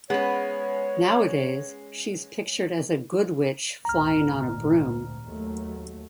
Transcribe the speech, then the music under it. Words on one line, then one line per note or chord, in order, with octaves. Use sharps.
Nowadays she's pictured as a good witch flying on a broom.
G#3 B3 C#4 B4 C#5
G#1 D2 A#2 A#5 F6
D#2 F#3 A3